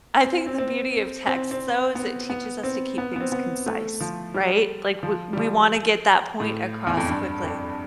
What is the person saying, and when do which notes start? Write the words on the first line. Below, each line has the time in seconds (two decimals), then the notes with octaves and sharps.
I think the beauty of text, though, is it teaches us to keep things concise, right? Like we we wanna get that point across quickly.
0.24 C4
0.46 C4
0.58 C4
1.27 C4
1.51 C4
1.95 B3
2.30 B3
2.63 C4
2.98 B3
3.16 B3
3.21 C4
3.32 B3
3.66 A3
4.01 F3
4.34 G3
5.03 F3
5.33 G3
5.37 F3
6.40 A2
6.87 E2
6.97 F2
7.09 G2
7.43 F2